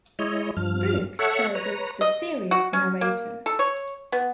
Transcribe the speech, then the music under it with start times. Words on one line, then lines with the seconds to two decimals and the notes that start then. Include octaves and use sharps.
Brooks served as the series narrator.
0.19 G#3 E4 C#5 D#5
0.57 G2 F3 F6
1.19 A4 C#5 E5 F#5
1.55 B4 C#5 A#5
2.01 D#5
2.51 F#4
2.73 C#4
3.01 A#3
3.46 A4
3.59 C#5
4.12 B3